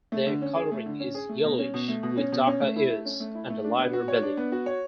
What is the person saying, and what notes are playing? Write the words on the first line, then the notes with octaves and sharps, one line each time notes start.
Their coloring is yellowish, with darker ears and a lighter belly.
A3
D3
C#4
G#4
A3
D3
C#4
G#4
A3
B2
C#4
B2
A3
B2
C#4
B2
C#4
A3
E4
A3
C#4
A3
E4
A3
D4
B3
F#4
C#5
D4
B3
F#4
C#5